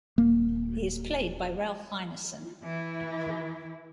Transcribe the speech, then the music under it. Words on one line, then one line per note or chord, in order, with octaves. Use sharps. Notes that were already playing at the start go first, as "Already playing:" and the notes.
He is played by Ralph Ineson.
D#1 A#3
E3 E4